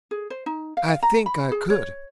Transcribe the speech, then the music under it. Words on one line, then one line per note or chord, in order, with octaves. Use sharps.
I think I could.
G#4
C5
D#4
F5
F5
A#5
B5
G#4
C#5